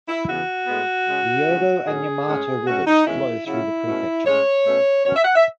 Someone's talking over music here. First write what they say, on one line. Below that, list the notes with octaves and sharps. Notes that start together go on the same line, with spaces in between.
The Yodo and Yamato Rivers flow through the prefecture.
E4
E2 C#3 E3 B3 F#4
A2 G#3 B3
C#3 G#3 C#4
C#3 G#3 C#4
A2 F#3 C#4 G#4
A2 G#3 C#4
B2 A3 C#4 F#4
D#4
E2 D#3 G#3 C#4 E4
C#3 F#3 C#4 E4
B2 A3 C#4
A2 G#3 C#4 C#5
B2 A3 C#4
B2 F#3 C#4 C#5
E5
F#5
E5